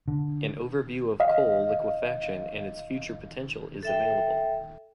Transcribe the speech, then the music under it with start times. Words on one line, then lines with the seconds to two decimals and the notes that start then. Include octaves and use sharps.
An overview of coal liquefaction and its future potential is available.
0.08 D3
1.20 D#5 F5
3.83 A4 E5 G5